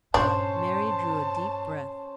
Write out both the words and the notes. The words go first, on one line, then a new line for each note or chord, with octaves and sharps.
Mary drew a deep breath.
G2 A#2 C#4 D4 C5 C#5 A5